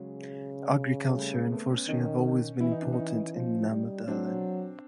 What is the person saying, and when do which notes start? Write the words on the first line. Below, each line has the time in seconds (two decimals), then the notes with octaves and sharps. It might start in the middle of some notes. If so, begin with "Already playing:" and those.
Agriculture and forestry have always been important in Namdalen.
Already playing: C#3 F#3 G#3
1.14 G3 A3
1.34 G#3 A#3
1.51 A3 B3
1.69 B3 C#4
1.87 D#3 C#4 D#4
2.60 E3 E4
2.72 D#4
2.82 D4
2.93 C#4 D#4
2.98 E3
3.34 F3
3.71 G3
4.07 F#3 C4 D4